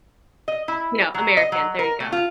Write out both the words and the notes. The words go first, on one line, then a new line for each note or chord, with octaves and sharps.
you know, American. There you go.
D#5
E4
F#3
D#5
F#3
A#4
A3
F4